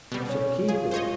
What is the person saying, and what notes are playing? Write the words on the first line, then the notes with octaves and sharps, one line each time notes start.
I shall keep them.
B2 G3
C#4
F4 G#4
C5 C#5 D#5